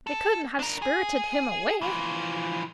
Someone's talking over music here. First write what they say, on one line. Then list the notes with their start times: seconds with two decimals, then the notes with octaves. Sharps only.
"They couldn't have spirited him away."
0.07 A4
0.59 D4 A#4
0.82 G#4
1.82 E3 F3